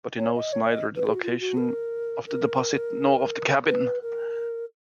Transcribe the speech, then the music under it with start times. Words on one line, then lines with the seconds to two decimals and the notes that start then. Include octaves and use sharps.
But he knows neither the location of the deposit nor of the cabin.
0.18 C#5
0.34 D#5
0.52 C#5
0.69 D#5
0.96 B4
1.05 G#4
1.13 F#4
1.22 F4
1.40 F#4
1.57 A#4
2.27 A#4
3.67 B4
4.02 A#4